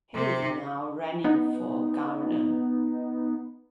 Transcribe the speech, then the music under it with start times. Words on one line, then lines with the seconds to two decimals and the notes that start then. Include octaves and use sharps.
He is now running for governor.
0.14 C3
1.24 B3 D#4